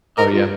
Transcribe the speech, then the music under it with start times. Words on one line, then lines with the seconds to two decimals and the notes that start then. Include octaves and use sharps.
Oh, yeah.
0.17 D#4 A#4
0.32 F4